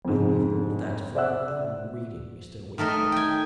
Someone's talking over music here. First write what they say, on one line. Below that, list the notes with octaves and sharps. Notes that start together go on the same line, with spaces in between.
I leave all that for your own reading, Mr. Wingfold.
F2 G#2
C5 D5 E5 F#5 E6 F#6
D#3 A3 A#4 D#5
G5 G#5